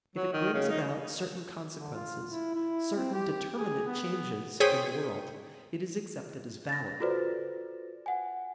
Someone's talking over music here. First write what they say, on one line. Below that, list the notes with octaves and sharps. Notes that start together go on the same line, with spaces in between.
If it brings about certain consequences, certain determinate changes, in the world, it is accepted as valid.
F#3
D#3
C#3
D#4
D3
F4
E4
E4
C4
G4
G#4
B3
G#4 C5 C#5 G5 D#6 B6
A6 A#6
F4 F#4 A4 B4 C5 D5
F#5 G#5